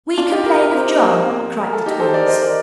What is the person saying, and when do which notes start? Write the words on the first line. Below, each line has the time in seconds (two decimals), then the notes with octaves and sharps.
'We complain of John,' cried the twins.
0.18 D4 F4
0.32 D#4 G4
0.46 G4 A#4
0.59 G4 A#4
0.74 C4
1.02 A#3
1.24 C4
1.30 A#3
1.60 A#4
1.73 A4
1.86 D#4 G4
2.00 A4 C5
2.14 A#4 D5
2.28 C5 D#5
2.42 A#4 D5